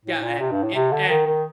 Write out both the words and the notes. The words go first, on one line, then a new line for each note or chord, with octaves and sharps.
Yeah, and it and
A2
A#2
C3
G2
A2
C3
D3
D#3
D#3